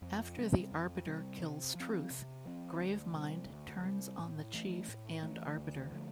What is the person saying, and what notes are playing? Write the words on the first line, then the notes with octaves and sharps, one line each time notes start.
After the Arbiter kills Truth, Gravemind turns on the Chief and Arbiter.
F2
C3 G3
F2
C3 G3
C3
F3 C4
C3
F3 C4
D2
C3 G3
D2
C3 G3
A2
E3 A3
A2
E3 A3
D2
D3 F3 A3